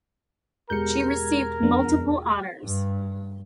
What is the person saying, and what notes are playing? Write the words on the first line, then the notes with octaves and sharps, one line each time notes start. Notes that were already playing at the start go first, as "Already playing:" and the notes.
She received multiple honors.
E1 G#3 G4 A#4 G6 C#7
G#6
F2 B3 D4
G2